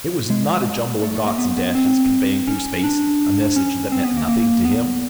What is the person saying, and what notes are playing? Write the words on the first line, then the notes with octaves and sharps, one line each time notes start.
It was not a jumble of dots and dashes, conveying through space a message that meant nothing to him.
G#3
A3
A3
A#3
B3
B3
C4
C#4
D4
C#4
C4
B3
A#3
A#3
B3